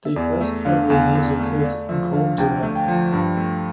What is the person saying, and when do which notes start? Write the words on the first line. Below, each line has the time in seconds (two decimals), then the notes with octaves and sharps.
They classify their music as "Goonda Rap".
0.05 E5
0.16 E2 D5
0.40 A3 E5
0.65 D3 F5
0.90 E2 F5
1.15 E2
1.40 A3
1.64 A3 D5
1.89 F3 E5
2.13 D3 F5
2.38 D2 G5
2.63 A3
2.76 G5
2.88 F3
3.13 G2
3.37 A3